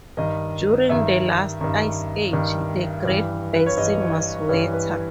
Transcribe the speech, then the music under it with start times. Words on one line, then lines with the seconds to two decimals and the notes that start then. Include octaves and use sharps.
During the last ice age, the Great Basin was wetter.
0.17 G2 D#3 D#5
0.89 G2 D#3 E5
1.61 G2 D#3
2.33 G2 D#3
3.05 G2 E3
3.55 B4
3.66 C#5
3.77 G2 E3 D#5
4.49 G2 E3 C#5
4.73 B4